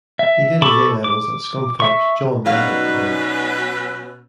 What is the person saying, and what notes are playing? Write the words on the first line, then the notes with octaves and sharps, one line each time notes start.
He did his A levels at Scunthorpe's John Leggott College.
E5
A4 A5 B5 C#6 D6
D6
E5 C#6
B2 F#3 C#4 D#4 B4 D5 F5